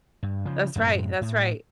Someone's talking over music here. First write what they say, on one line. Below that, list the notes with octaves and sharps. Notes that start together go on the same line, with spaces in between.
That's right, that's right.
G2
C#3 F3
F#2 A2 C3 G#3
A2